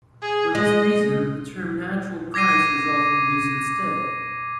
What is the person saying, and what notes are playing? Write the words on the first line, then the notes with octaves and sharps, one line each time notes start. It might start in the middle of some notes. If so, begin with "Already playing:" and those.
For this reason, the term 'natural price' is often used instead.
G#4
G#3 D#5
D6 G#6 A#6 C7 D#7